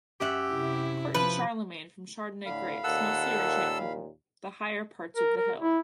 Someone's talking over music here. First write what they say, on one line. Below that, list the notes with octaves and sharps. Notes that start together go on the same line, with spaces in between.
Corton-Charlemagne from Chardonnay grapes mostly originate from the higher parts of the hill.
F#2 G4 E5 F#5
C3 E4
F3 B4
A2 D3 F5 B5
D#2 A#2 A4 F#5 E6
A#4
A#4
E4